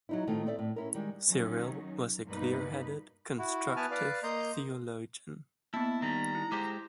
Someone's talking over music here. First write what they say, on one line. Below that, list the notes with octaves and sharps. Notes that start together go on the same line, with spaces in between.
Cyril was a clear-headed, constructive theologian.
F#3 D#4 E4
A2 D#3 A3 C4 F4
C4 A4 D5 E5
A2
C#4 E4 A#4
D#3 G3 G#3
D#3 F#3 C#4 D#4
G2 B2 A#3 D#4 B4
E4 F#4
B3 E4 B4 G#5 A5 F6
B4 D5 F5
A#3 D#5 A#5 C6 G6
A#3 B3 E4 A5
D#3 G3 A#5
E4
G#3 G4 C5 D6 G6